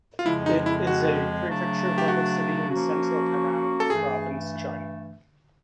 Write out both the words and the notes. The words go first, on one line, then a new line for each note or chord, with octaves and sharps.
It is a prefecture-level city in central Henan province, China.
F4
F2 C#3 F3 G#3 E4
D#4
E4
F#4
C#3 F#3 A3 D4
G4
F#4
F3 A#3 C#4 F#4
A4
G2 E3 A3 G#4